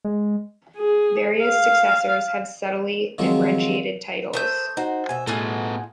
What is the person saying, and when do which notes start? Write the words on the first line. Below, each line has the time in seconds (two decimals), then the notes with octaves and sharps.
Various successors have subtly differentiated titles.
0.04 G#3
0.77 G#4
1.43 F5
3.18 D#3 F3 F#3 G#3 C4
4.33 A3 A#4 C5 E5 D#6 G6
4.77 D#4 F#4 C5
5.09 B2 E5 G#5
5.27 A2 B3 F4 F#4 G#4 A4